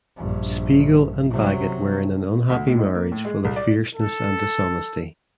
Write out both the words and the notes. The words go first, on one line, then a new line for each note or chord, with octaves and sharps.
Spiegel and Baggett were in an unhappy marriage full of fierceness and dishonesty.
A#1 G2
C3 F#3
D2
A2
D#4
A#3
A2
G#3
C2
D5
A4